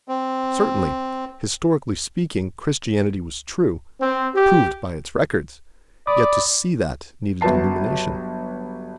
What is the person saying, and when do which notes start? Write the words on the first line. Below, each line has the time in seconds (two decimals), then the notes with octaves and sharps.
Certainly, historically speaking, Christianity was true--proved by its records--yet to see that needed illumination.
0.08 C4
4.01 C4
4.35 G4
6.07 D5 B5 D6 D#6
7.41 G1 F#3 B4 A5 C7